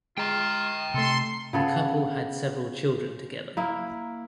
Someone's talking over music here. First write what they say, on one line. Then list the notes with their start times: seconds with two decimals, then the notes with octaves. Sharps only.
The couple had several children together.
0.18 G#3 F4 G5 A#5
0.94 C3 A3 A4 C6
1.53 C#3 B3 A4
3.57 A#3 E4